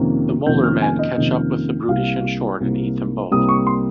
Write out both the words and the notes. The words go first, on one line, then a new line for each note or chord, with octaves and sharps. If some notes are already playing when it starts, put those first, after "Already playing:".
The Molar Men catch up with Brutish and Short and eat them both.
Already playing: F2 C3 D#3 A#3 C#4
F2 C3 D#3 A#3 C#4 G6
F6
G#5
D#5
F2 C3 D#3 A#3 C#4
C2 C3 G3 A#3 F5
C2 C3 G3 A#3
C2 C3 G3 A#3 D#6
C#6
C6